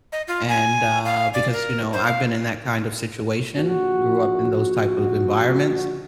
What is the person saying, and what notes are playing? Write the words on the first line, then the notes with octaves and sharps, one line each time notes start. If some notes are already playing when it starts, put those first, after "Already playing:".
and, uh, because, you know, I've been in that kind of situation, grew up in those type of environments,
D#5
F4
G#5
F5
D5
A#4
C5
F5
A#1 F#4